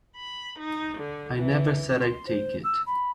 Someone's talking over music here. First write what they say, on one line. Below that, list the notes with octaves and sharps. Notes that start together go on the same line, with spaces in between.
I never said I'd take it.
B5
D#4
D3
E3
C6
C5
E6
B5